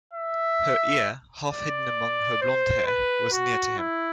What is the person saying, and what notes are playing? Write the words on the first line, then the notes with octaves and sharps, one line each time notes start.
Her ear, half-hidden among her blonde hair, was near to him.
E5
D5
C5
B4
F#4
E4